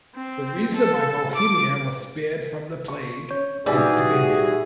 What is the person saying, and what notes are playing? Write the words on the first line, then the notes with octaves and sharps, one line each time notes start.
The reason why Bohemia was spared from the plague is debated.
C4
A4
D6
C#6
C#4 C#5 G6
A#2 E3 G3 D4 D#4 F#4 G#4